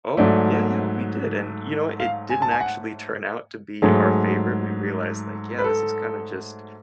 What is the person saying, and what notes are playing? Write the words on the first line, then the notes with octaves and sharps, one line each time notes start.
Oh, yeah, yeah, we did, and you know, it didn't actually turn out to be our favorite, we realized, like, "Yeah, this is kinda just"
G#2 F#3 A3 D5
F5
G#5
A5
G#5
F#5
G#2 F#3 A3 G#4
B4
A4